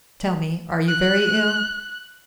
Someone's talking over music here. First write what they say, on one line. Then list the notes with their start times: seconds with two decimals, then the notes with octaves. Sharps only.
"Tell me, are you very ill?"
0.88 F#6